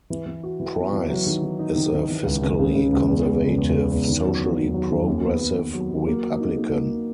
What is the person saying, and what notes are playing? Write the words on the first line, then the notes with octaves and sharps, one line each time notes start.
Pryce is a fiscally conservative, socially progressive Republican.
E3
E3
F#4
E3
B3
E3
F#3
D#3
D#3
D#4
D#3
D#3
E3
C#2
C#3
C#3
C#3
C#2
E2
G#3
C#3
E2
G#3
E2
D#3
F#3
B3
F#3
F#3
D#3
D#2
B3
D#2
B3
F#3
F#3
A#3
F#4
D#4
A#3
A#3
D#4